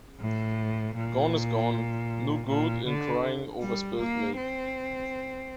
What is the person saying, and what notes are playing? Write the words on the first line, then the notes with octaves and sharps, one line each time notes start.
Gone is gone. No good in crying over spilt milk.
A2
A#2
A#2
D3
G3
A#3
C4